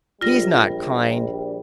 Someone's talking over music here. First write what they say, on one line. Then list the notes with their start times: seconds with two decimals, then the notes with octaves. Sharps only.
He's not kind.
0.21 A#1 G3 F4 A#6